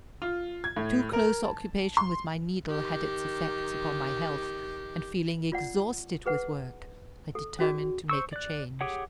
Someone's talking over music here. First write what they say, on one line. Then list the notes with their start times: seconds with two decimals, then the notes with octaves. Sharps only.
Too close occupation with my needle had its effects upon my health, and feeling exhausted with work, I determined to make a change.
0.22 F4
0.64 G#6
0.77 A2
1.13 A#4
1.44 A5
1.97 C6
2.69 D#3 G4
5.52 F4 D5 F#5
6.26 G#4 B4 F#5
7.35 A4
7.59 C#4 F#4 G#4 D5
8.09 C5 C#6 E6
8.33 D5 F#6
8.81 G4 G#4 C#5 F#5